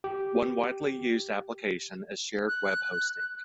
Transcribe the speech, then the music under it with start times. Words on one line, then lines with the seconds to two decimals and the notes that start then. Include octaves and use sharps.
One widely used application is shared web hosting.
0.04 G4
2.48 F#6